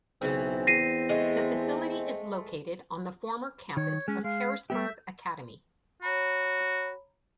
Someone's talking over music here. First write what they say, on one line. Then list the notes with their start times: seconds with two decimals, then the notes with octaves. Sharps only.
The facility is located on the former campus of Harrisburg Academy.
0.22 B1 C#3 E3 C4
0.67 E2 A#6 C7 D#7
1.09 G#3 A3
3.77 D#3 C#5
4.08 G#3 C#4
4.24 G#3 F5
4.70 G3 B3 G4 E5
6.02 F#4 C#5 A#5 B5